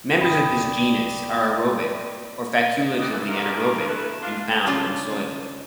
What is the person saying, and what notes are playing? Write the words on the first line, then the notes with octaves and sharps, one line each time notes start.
Members of this genus are aerobic or facultatively anaerobic and found in soil.
C2 G#2 D5 G5 B5 D#6
G2 G3 A#3 D5 D#5 F#5
G#2 E3
G2 A#4
A3 E4 G#4 A4 B4
D4 F4
C#3 D4 F4